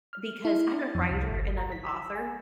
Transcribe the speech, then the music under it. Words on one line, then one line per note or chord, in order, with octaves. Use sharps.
because I'm a writer and I'm an author,
F6
E4
A6
F2
C2
G1
A#5
B6
E6
G#5